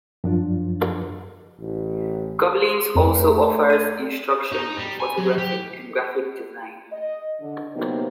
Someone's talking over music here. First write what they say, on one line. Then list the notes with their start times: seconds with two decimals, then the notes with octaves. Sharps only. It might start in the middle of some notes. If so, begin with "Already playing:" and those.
Gobelins also offers instruction in photography and graphic design.
0.24 F#2 F3 D4 F4
1.60 A1
2.95 F2 A3
3.70 G#6 D#7
4.52 D#4
4.77 G3
5.00 G#5
5.18 F#3
5.38 G4
6.92 D#5
7.41 D3
7.75 C3 F#3 A#3 B3 D#4